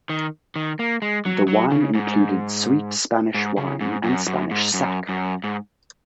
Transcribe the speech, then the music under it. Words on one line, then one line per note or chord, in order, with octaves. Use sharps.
The wine included sweet Spanish wine and Spanish sack.
D#3
D#3
A#3
G#3
F#3
F#3
C#3
G#2
G#2
C#3
G#2
F#2
F#2
G#2
F#2
F#2
G#2